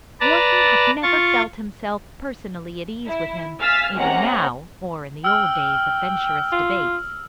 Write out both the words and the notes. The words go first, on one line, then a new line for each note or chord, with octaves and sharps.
Wharton had never felt himself personally at ease with him, either now, or in the old days of Venturist debates.
B4 D5 A5 A#5
F4 C#6 A6
E4
F5 G#5 E6 F6 A6 B6
C3 G#3 A#3 C#4 F#5 A#5
G5 E6 F6
F4